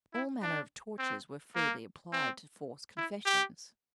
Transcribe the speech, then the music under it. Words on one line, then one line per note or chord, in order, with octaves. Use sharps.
All manner of tortures were freely applied to force confessions.
E4
D4
C4
A#3
C4
E4
G4